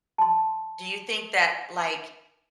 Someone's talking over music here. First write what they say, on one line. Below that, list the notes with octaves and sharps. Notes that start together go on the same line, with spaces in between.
do you think that, like
A5 C6